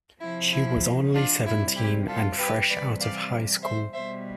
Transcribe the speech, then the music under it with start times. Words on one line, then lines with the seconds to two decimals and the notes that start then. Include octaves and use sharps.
She was only seventeen and fresh out of high school.
0.21 C3 F3 E4
0.52 E4
1.14 D4 F4
1.46 C3 G3 E4
1.76 E4 G4
2.08 F4 A4
2.38 G4 B4
2.70 C3 E3 G3 B4 D5
3.00 D5 F5
3.63 C5 E5
3.94 B2 G3 C5 E5